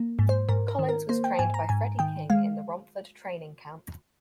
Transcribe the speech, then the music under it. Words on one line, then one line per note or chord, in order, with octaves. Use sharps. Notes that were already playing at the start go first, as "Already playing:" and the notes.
Collins was trained by Freddie King in the Romford training camp.
Already playing: A#3
G#2
C5
G#2 A#4
A#4
D#3
A#4
A#3 C5
G5
G#2 G#5
A#5
G#2 G#5
D#3 G5
G#3 F5